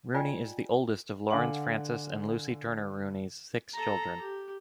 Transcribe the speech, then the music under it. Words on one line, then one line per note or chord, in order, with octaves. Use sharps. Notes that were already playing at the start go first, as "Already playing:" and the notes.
Rooney is the oldest of Laurence Francis and Lucy Turner Rooney's six children.
F4 D5 D#5 G5 G#5 B5
D3 F5 F#5 G#5 D6 F#7
A4 A#5
G4